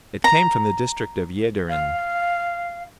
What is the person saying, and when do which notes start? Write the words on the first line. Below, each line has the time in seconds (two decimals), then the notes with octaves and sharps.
It came from the district of Jaederen.
0.24 A#5
1.69 F5